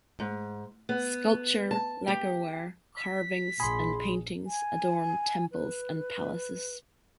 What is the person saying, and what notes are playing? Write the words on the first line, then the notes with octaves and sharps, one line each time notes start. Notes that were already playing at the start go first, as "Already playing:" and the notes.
Sculpture, lacquerware, carvings, and paintings adorn temples and palaces.
G#2
B3
A5
G4
B6
A#1 G#4 B5 C6
G#5
B4